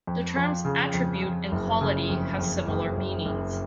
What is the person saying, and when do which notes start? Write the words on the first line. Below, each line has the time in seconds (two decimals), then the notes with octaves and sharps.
The terms attribute and quality have similar meanings.
0.07 F2
0.36 F3
0.65 C#3
0.94 F2
1.23 F2
1.52 F#1
1.81 C#3
2.10 F2
2.38 F2
2.68 F#1
2.97 F#1
3.25 F#1